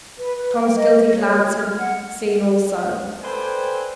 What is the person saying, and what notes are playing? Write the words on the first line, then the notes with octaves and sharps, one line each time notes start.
Tom's guilty glance had seen also.
B4
B4
G5
D#5
D#5
C#5
G#6
F6
F#5
A4 B4 C5 D5 G5 G#5